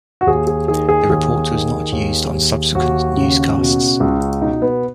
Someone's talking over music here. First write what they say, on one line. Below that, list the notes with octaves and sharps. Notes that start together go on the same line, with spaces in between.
The report was not used on subsequent newscasts.
F#4
D#2 G#4
G#4
D#3 G#4
G#4
D#2 G#4
D#3
D#2
D#2
D#2 F#4
C#3
B2
C#2
B2 D#4
B3